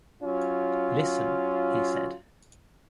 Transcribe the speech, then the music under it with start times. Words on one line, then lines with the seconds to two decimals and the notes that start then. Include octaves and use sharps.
"Listen," he said.
0.23 F#3 C#4 F4